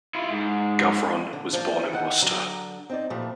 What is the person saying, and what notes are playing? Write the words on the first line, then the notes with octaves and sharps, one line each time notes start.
Gavron was born in Worcester.
E4 F4
G#2
D3
F3 A#3 D4
D#3 F#5 G5
D3 F#3 D5 A#5
C4 D#4 D5
A#2 E3 F3 G3 A3